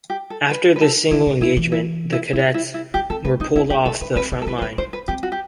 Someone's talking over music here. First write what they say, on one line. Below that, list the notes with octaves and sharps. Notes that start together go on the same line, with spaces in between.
After this single engagement, the cadets were pulled off the front line.
G4
A4
B4
B4
A4
D#3 E4
C3
C3 E4
E3
E4
E4
D#4 E4
E4
E4
D#4 G4
C4 A4
A3 B4
C4 D#4
C4 E4
D#4 G4
E4 A4
D#4 B4
C4 B4
D#4
A4
E4 B4
C5
E4 B4
D#4 C5
B4
C4 G4
F#4
G4